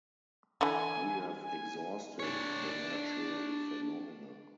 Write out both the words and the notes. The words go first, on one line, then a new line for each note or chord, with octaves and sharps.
We have exhausted the natural phenomena.
D3 E3 G#5
G#5
D4 C#5